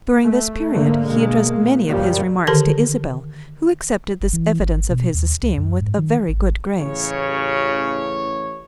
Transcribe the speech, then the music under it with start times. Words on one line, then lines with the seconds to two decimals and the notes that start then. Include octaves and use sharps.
During this period he addressed many of his remarks to Isabel, who accepted this evidence of his esteem with a very good grace.
0.24 A3
0.71 G#2 D3 A3 A#3
1.07 B2 G#3 A#3
1.59 A#2
1.90 C#2 F#2 A#2 F3 G3 A#3
2.47 D3 D#3 G4 A4 A#4 A5
4.21 F#1
4.33 E3
4.59 G1
4.90 B2
5.14 D#2
5.42 C#2
5.58 F#2
5.81 G#2
5.98 D#3
6.29 G#1
6.79 A1 C#3 C#5